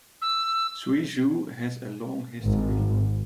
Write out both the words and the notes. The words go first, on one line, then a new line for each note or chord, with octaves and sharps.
Suizhou has a long history.
E6
G#1